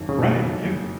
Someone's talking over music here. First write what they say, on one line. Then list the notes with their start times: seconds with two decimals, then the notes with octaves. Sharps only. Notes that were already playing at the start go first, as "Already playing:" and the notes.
right? Yeah,
Already playing: F#1 F2 D#3 F#3 A#3
0.09 C#3
0.19 F#1 F2 B2 D#3 F#3 A#3